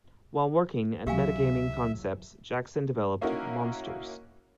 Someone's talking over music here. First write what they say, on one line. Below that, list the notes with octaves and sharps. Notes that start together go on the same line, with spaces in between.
While working at Metagaming Concepts, Jackson developed Monsters!
C#2 C3 E3 F#3 G4 E5 F5 G#5
A#3 C#4 D#4 E4 F#4 A#4